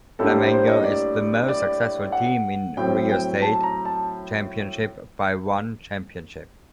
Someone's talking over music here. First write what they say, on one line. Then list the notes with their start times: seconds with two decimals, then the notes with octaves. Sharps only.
Flamengo is the most successful team in Rio State Championship by one championship.
0.19 A2 G3 A#3 D4 A4
0.36 C5
0.52 C5
0.67 D#5
0.84 D5
1.48 D5
2.12 F#5
2.77 A2 F#3 C4 G5
3.09 G5
3.42 A5
3.63 A#5
3.85 A5